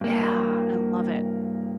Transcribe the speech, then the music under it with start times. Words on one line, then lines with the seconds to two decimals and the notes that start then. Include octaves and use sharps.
yeah. I love it.
0.01 G2 A#3